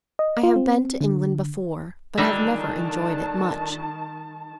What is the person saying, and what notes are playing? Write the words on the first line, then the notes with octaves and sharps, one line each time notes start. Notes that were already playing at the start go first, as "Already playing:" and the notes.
I have been to England before, but have never enjoyed it much.
D#5
F4
C4
D3
A#2 D3 D#3 G3 D#4 E5 A5